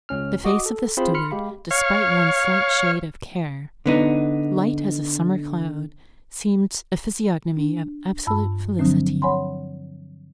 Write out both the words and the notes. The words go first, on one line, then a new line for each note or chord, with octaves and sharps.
The face of the steward, despite one slight shade of care, light as a summer cloud, seemed a physiognomy of absolute felicity.
C#2 C#4 F6
F#4 D#5 D6 D#6
A4
C4 F4 G#4 C5 B5 C6
B5 C6 F6 C#7
G#3 G4 F5 B5
C#5 F5
D3 B3 D#4
D4
G2 A5 B5 E6
D3 F3 F#3 C4 D4
C#5 F#5 G#5 B5 C6